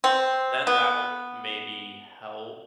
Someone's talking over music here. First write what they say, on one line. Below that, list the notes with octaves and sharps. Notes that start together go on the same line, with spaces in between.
then that would maybe help
C4
B3